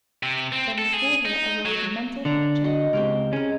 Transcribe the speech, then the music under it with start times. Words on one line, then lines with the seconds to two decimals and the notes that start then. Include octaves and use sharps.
Then before her arose a mental picture.
0.23 C3
0.52 C4
0.78 A4
0.94 G#4
1.25 D#4
1.65 F#3
2.25 D3 D4 A#5
2.64 F#4 D#5
2.93 C#2 C4 G4 A#4
3.33 G#3 C#4 A#4